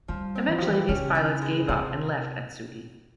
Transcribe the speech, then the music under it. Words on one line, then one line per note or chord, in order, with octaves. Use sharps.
Eventually, these pilots gave up and left Atsugi.
F3 G3
C4
E3
F3 G4
E3
C#3 C#4
E3
G#3
C3 F3